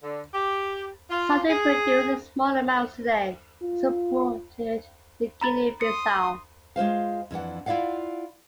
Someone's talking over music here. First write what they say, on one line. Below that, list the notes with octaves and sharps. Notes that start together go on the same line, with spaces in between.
Salt is produced in small amounts today, it is exported to Guinea-Bissau.
D3
G4
F4
G#4
F4
A#5 B5 A6
C6 D#6 C#7
G#3 F4 C5 F5
F2 E3 D4 F#5
E4 F4 D5 F5 F#5